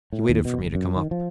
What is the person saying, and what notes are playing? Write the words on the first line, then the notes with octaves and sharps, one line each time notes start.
He waited for me to come up.
A2
D#2
B2
G1
F#2
D#3
F3